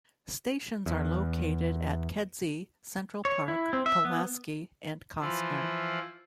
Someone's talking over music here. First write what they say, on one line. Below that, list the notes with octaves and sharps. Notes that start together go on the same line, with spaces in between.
Stations are located at Kedzie, Central Park, Pulaski, and Kostner.
E2
C#5
E4
C4
E5
B3
E3 F3 E4 F4